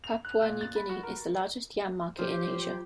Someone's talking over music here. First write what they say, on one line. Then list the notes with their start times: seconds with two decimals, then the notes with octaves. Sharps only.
Papua New Guinea is the largest yam market in Asia.
0.04 F7
0.25 F#6
0.42 A#2
0.61 A6
0.76 B5
0.89 F#4
1.03 A#4
2.19 F3 F#3 G4 C5